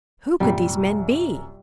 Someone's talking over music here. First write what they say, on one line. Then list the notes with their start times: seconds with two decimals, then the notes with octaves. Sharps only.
Who could these men be?
0.40 A#1 F#2 C3 G3